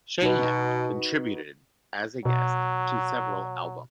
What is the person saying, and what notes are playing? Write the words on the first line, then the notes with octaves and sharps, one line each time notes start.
Sheahan contributed as a guest to several albums.
B2 D#4 F#4 B4
B2 F#3